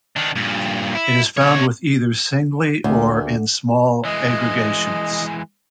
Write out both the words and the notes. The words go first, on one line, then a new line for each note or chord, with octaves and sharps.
It is found with either singly or in small aggregations.
D#3 D4
G2 A#2
E4
B2 C#5
D2
E3 G#3 D#5